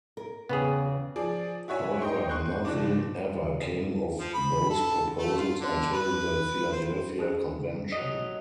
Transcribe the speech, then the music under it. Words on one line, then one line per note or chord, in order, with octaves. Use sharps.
However, nothing ever came of those proposals until the Philadelphia Convention.
A#4
E2 C#3 B3 G4 G#4
F3 G#4 D5
E4 F#4 C#5 E5 G#5
D#5 G5 C6 C#6
C6 C#6 F#6 G6
F#1 F3 D4 D6
F3
B5
A4
A3
F4
D3
B4
C5
C#4 G#4 A#4
F#3 D#5